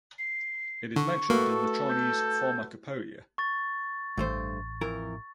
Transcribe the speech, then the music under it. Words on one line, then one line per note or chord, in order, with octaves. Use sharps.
It is mentioned in the "Chinese Pharmacopoeia".
C7
D3 C#6
A3 A#3 F#4 A4 B4
G6
C#6 A6
A1 G2 A3 C5
F2 E3 A#4